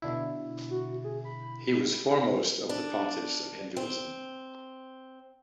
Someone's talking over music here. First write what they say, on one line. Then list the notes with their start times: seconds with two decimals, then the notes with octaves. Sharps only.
He was foremost of the pontiffs of Hinduism.
0.02 B2 D3 E4
0.70 F#4
1.04 G#4
1.25 B5
2.69 D4
3.77 C4